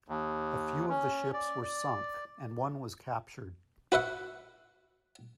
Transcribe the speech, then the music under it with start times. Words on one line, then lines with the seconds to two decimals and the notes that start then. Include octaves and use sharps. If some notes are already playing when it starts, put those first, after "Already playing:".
A few of the ships were sunk, and one was captured.
0.08 D#2
0.89 C#4
1.34 D5
1.62 D5
3.92 F#4 B4 E5 F#5